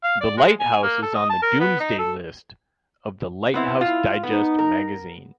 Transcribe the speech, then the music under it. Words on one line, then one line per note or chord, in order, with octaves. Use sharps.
The lighthouse is on the "Doomsday List" of the "Lighthouse Digest" magazine.
F5
D5
G#3
G#5
A#3
A4
D#5
A5
A#4
B3
D#4
A4
B3 C4 E4
E4 F4
B3 D#4
A#4